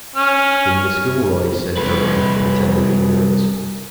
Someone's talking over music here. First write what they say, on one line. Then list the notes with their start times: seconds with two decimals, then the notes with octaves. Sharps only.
"Then Mrs. Gilroy," said Durham, pretending ignorance.
0.16 C#4 F6
1.77 C2 B4